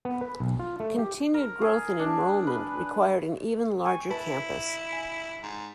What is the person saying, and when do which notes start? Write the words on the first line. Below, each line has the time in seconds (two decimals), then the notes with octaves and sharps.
Continued growth in enrollment required an even larger campus.
0.05 B3
0.21 B4
0.40 B1
0.59 F4
0.80 A3
0.99 G4
1.34 A#4
1.62 G#4
1.99 D4
2.47 B4
3.85 G5 G#5 C#6
4.10 E4 B4 A5
4.93 G#5
5.43 G#2